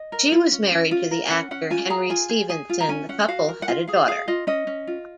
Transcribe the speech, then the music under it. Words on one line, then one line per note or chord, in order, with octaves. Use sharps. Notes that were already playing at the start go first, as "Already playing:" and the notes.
She was married to the actor Henry Stephenson; the couple had a daughter.
Already playing: D#5
A#4
F4
C#4
C#4
F4
A#4
F5
C#4 F#5
C#4 F#5
F4 G#5
G#4 A#5
F4 G#5
G#4
G#4 G#5
F4
A#5
C#4 G#5
C#4 F#5
F#4 F5
A#4
F#5
F4 F5
G#4 F5
G#4 F5
F4 D#5
C#4 D#5
C#4
F4